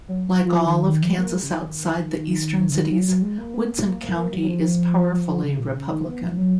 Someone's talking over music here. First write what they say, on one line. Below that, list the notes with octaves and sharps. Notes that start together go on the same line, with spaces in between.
Like all of Kansas outside the eastern cities, Woodson County is powerfully Republican.
F#3
F3
D#3
D#3
F3
A#3
G#3
C#3
D#3
C#3
D#3
F#3
F#3
G#3
A#3
B3
A#3
A#3
A#3
A#3
F#3
F#3
F3
F3
C#3
A#2
C#3
D#3
B3
F3
F#3